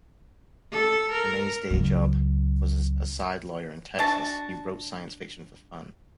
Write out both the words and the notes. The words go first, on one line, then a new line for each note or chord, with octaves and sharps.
Ramey's "day-job" was as a lawyer in Texas; he wrote science fiction for fun.
A4
A#4
C#2 F#3
D4 F#4 A5